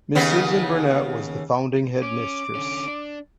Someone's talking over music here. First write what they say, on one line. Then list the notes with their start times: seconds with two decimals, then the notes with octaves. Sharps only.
Miss Susan Burnett was the founding headmistress.
0.15 D#2 C#3 B3
2.03 C#4 D6
2.55 D3 C#4
2.88 D4